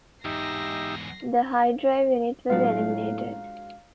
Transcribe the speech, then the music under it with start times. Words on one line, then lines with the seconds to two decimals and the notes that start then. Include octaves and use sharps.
The Hy-Drive unit was eliminated.
0.25 E2 G#2 D#4 G4 E5 A#6 C7
2.50 A2 F#3 G#3 B3 D4 F4 F5